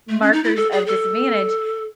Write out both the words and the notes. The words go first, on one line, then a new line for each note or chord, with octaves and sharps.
markers of disadvantage,
A3
C#4
D#4
E4
A4
G#4
A4